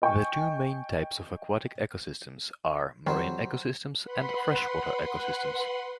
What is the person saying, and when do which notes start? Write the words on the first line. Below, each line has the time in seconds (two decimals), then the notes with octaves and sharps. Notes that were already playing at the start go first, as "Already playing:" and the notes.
The two main types of aquatic ecosystems are marine ecosystems and freshwater ecosystems.
0.02 D#5 G5 G#5 C#6
3.07 F2 D#3 F#3 G3 C5
4.04 B4 F#5 B5 C6